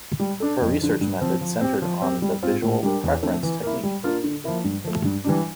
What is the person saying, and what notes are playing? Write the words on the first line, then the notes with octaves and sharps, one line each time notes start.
Her research method centered on the visual preference technique.
G3
D4 A4
F2
D3 F3
G2
F3 C4
F3
C4 G4
F3
C4 G4
G3
C4 F4 C5
A2
G3 D4 G4 A#4
E2
D3 F3 A3 C4
E3
A#3 E4
G3
A#3 D4 F4 A#4
D3
F3 A#3 E4 A#4
G2
F3 A3
G2
E3 G3 D4